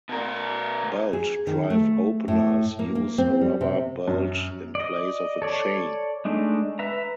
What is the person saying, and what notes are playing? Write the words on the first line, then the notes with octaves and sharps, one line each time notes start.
Belt drive openers use a rubber belt in place of a chain.
B2 A#4
G#4
D#3
A3
A2
A#3
A#3
C4
G3
C3
F#2
D5 D#5
A4 C#5 D5
G#3 A3 D4 D#4
B4 E5 A#5